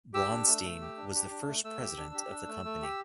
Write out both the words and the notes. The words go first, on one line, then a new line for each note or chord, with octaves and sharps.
Bronstein was the first president of the company.
G4 E6
D4
A3
A3
G4
D4
G4
D4
A3
A3 E6
G4
D4
G4
D4
A3
A3
G4